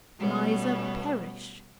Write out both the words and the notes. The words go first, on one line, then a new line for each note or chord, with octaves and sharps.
Miser, perish!'
B2 G3 A3 B3 C#4